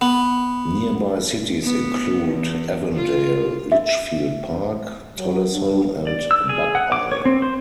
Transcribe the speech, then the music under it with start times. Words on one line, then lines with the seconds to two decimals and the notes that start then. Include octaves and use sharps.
Nearby cities include Avondale, Litchfield Park, Tolleson and Buckeye.
0.01 B3
1.62 B3
2.27 E2
2.94 F4
3.72 E5
5.17 F#3
5.52 G2
6.07 D5
6.31 E6
6.49 G#4
6.75 F#5
6.92 D6
7.11 C#5
7.25 C4
7.42 C5